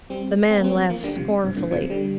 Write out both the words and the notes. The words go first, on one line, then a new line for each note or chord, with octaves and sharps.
The man laughed scornfully.
G3 C4
C4
A#3
G3 C4
F3 A#3
D3 G3
C3 F3
G2 C3
A#2 D3
C3 F3
D3 G3